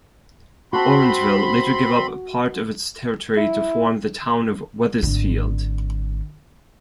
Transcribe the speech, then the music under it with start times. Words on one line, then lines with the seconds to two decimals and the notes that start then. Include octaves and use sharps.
Orangeville later gave up part of its territory to form the Town of Wethersfield.
0.73 C4 F#4 A5 B5 C6
3.37 E4
5.03 G#1 D3